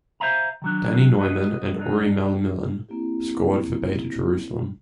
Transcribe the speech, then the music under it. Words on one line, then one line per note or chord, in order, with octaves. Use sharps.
Danny Noyman and Uri Malmilian Scored for Beitar Jerusalem.
C5 D5 E5 F5 G#5 A#5
D#3 F#3 D4
F#4 B4 D#5
G2 D4 D#4
A#3 C4 E4 G4